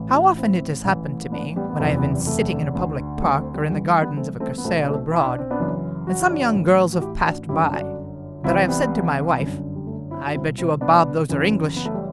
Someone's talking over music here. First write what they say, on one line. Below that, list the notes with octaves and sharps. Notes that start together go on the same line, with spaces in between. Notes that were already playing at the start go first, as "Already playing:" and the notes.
How often it has happened to me, when I have been sitting in a public park or in the gardens of a Cursaal abroad, and some young girls have passed by, that I have said to my wife: "I bet you a bob those are English."
Already playing: A1 A2 E3
E4
D4 F#4
C4 E4
A1 A2 E3
B3 D4
G3 B3
B3
F#1 E2 C3 E3 A3
G3 B3
G3
A3
D2 D3
A3
G3 B3
A3 C4
G3 B3
G1 G2 E3 G3
A3
G3 B3
A3 C4
A3 C4
B3
B1 B2 A3 C4
D4
A3 C4
E4
D4
C4
B3 D4
F#1 F#2 E3
F#4
E4
D4 F#4
A1 A2 E3
F#4
E4 G4
D4 F#4
G1 F#2 D3 E4 G4
D4 F#4
C2 C3 E3 C4 E4
C4
G3 B3
G1 F#2 D3
G3
A3
C4 E4
F#4
C2 B2 C4 E4
C4 E4
B3 D4
F#1 F#2 E3
B3
A3
G3